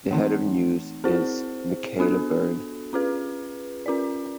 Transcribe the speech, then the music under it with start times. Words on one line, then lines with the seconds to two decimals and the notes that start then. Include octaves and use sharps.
The head of news is Michaela Byrne.
0.11 E3 A3 C4 D#4
1.04 C4 E4 G#4 C5
1.99 B3 D4 F#4 A4
2.93 C#4 F4 G#4 B4
3.86 C#4 F4 A#4 D5